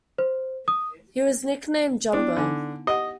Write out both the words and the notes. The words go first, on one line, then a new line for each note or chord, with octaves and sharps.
He was nicknamed "Jumbo".
C5
D#6
B3 D4 E4
D3 D#4 G#5
G4 D#5 F#5